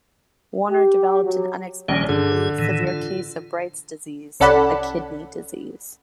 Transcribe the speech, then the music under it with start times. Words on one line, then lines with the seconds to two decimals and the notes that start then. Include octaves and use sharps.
Warner developed an unexpectedly severe case of Bright's disease, a kidney disease.
0.70 G4
1.23 F#3
1.88 A#1 D#3 G3 C#4 C#5 D5
2.09 G2 D3 G#4
2.59 A2 D#3 E3
2.87 F4
4.40 C2 C#4 A4 D5 F#5 B5